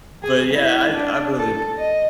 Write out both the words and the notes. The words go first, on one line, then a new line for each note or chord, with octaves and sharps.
but, yeah, I I've really ap
G#4
E4
D4
A4
D#5